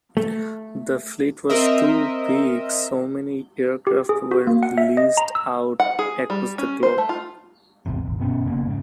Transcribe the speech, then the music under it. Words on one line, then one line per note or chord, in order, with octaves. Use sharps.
The fleet was too big, so many aircraft were leased out across the globe.
A3
C4 A#4 D#5 E5
G4
G#4
F#4
A#3
F#5
E5
D#5
A#5
E6
F#5
G#4
G3
C#4
C5
A3
F4
A1 E2 C3
D#1 G#1
G1 B2 B3 C#4
F1 C#3 A#3 B3
G#2 C#3